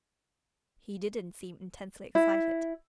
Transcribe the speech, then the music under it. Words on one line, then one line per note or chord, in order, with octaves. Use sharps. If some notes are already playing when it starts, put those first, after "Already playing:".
He didn't seem intensely excited.
E4